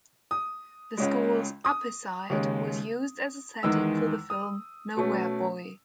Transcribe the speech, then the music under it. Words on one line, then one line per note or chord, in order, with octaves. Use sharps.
The school's Upper Site was used as a setting for the film "Nowhere Boy".
D#6
C#2 C#3 G#3
D#6
D#2 C#3 G#3
E2 D#3 G#3 E6
D#6
B2 A3 C#4